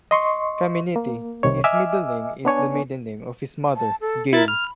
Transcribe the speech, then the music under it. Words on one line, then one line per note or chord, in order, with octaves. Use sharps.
"Caminiti", his middle name, is the maiden name of his mother, Gail.
D#5 C6 C#6
A#3
C2 C3 D#3 C#5
D#5 E5 G#5 D6 E6 F6
B3 D4 C#5 G#5
A5
A4
E4 A#4 A6
B5 F6